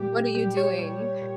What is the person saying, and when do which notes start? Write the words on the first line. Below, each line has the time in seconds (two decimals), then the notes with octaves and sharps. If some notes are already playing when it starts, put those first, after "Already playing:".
What are you doing
Already playing: A#2 G3 G4
0.35 A#2 G3 G4
0.57 C#5
0.79 A#2 G3
1.21 A#2